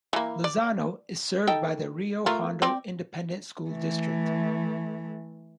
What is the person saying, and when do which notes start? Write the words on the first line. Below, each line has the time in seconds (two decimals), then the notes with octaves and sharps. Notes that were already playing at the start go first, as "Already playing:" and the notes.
Lozano is served by the Rio Hondo Independent School District.
0.13 E3 A#3
0.44 D5
1.47 D#4 A4 G5
2.26 A3 F4 A#4
2.62 C4 D5 G5
3.70 E3 A3